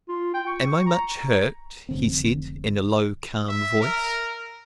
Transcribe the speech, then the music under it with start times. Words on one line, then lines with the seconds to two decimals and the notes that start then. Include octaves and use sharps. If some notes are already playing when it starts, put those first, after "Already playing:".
"Am I much hurt?" he said, in a low calm voice.
0.09 F4
0.34 G5
0.47 C#6
0.86 A#5
1.89 F1 D3 C4
3.49 E5
3.82 A#4